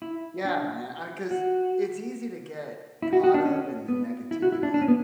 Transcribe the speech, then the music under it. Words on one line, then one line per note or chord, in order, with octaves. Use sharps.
Yeah, man. I 'cause it's easy to get caught up in the negativity
E4
D4
F#4
E4
F#4
F#4
D4
C#4
B3
E4
F#4
E4
D4
D4
C#4
B3